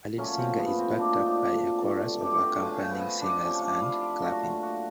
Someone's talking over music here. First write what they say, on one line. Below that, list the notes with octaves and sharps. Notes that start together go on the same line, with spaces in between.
A lead singer is backed up by a chorus of accompanying singers and clapping.
A#2 F#3 A3 C#4
C4
B3
C4
A#2 F#3 A3 D4
D#4
D4
G2 D3 F#3 A3 D4
G4
G4
F#4
C#3 F3 A3 F4
C#4
C#4
B3
C4
D4
C3 F3 A3 C#4
D4
E4
F4
A#2 F#3 A3 F#4
F4
F#4